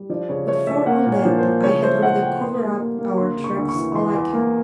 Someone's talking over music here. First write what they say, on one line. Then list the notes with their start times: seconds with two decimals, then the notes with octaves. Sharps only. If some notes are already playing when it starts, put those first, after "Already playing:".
But for all that, I had rather cover up our tracks all I can.
Already playing: G3
0.09 F3 D5
0.29 C#3 C#5
0.48 A3 C#5
0.67 A3 E5
0.86 A#3 F#5
1.06 A#2
1.12 C#5
1.25 F3
1.38 C5
1.44 F3
1.63 C#3 C#5
1.82 A3 C5
2.02 C#3 F#5
2.21 A3 G5
2.41 A#3 C6
2.59 G3
2.80 A#3
2.99 A#3
3.18 D2 C6
3.37 C#3
3.44 C#6
3.56 D2
3.69 C#6
3.75 E3
3.94 E2 C6
4.15 E2
4.33 A#3